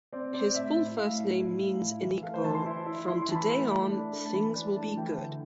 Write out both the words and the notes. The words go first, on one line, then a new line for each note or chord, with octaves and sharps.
His full first name means in Igbo "from today on, things will be good".
C4 D5
C4 D5
A2 E5
E4
A2 F5
A2
E4
A2
E4
E3
A3 F5
C5
E3 A5
C6
E4
E4
E4 C6
C6
E3 A5
B5
A3
A3
D4
A3
A5
E3 B5
D4
A3 A5
E3 G5
D3